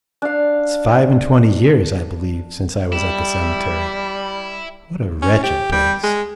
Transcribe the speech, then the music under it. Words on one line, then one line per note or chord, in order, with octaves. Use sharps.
It's five-and-twenty years, I believe, since I was at the cemetery; what a wretched place!
D4 F5
G3 E4
C#4
G4
G3
G#3